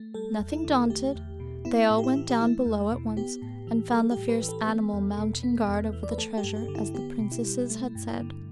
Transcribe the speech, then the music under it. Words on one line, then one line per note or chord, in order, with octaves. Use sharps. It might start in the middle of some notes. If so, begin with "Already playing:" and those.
Nothing daunted, they all went down below at once, and found the fierce animal mounting guard over the treasure as the princesses had said.
Already playing: A3
G3 A4
E2
E4
D3
A3 G4
E2
B2
B3 E4
A2
G4
E4
E3
G4
A3 E4
E2
B2
B3 G4
A2
E3
G3 A4
G4
A2
B4
E3
A4
B3
E2
B2
B3
E2
E3
D5
B4
A3 A4
G4
G2
G4
D3
E4
B3 G4
B2
E4
G3
A3
G2
D3